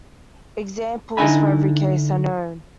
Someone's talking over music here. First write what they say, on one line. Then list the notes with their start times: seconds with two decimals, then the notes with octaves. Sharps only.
Examples for every case are known.
1.17 D3 D#4 E4 E5 G#5 B5